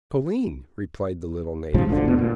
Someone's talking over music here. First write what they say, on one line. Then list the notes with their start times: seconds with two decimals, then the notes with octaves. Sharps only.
"Toline," replied the little native.
1.74 D#1 G#2 C#3 F3
1.89 D2 D3
2.05 E2 B2
2.18 A#2